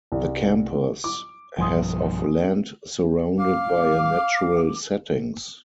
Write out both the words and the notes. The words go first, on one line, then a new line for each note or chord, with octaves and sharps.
The campus has of land surrounded by a natural settings.
C2
D6
B1 G2 F3 G#5 C6 D#6
F5 D6